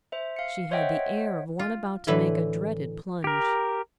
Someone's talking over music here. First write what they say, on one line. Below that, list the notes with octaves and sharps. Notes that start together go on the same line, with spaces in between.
She had the air of one about to make a dreaded plunge.
C5 E5
F5 C#7
C5 C#5 D#5 E5 F#5 G5
F4
A2 D3 E3 E4 B4
G4 A#4